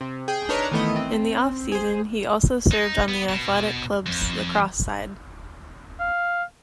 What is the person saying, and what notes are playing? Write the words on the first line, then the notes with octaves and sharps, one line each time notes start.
In the off-season, he also served on the athletic club's lacrosse side.
C3
G#4 G5
D4 D#4 A#4 B4 C#5 A#5
D#3 E3 A3 B3 D#5
C4
G#4 C5
D#4
B3
B2
F2
F5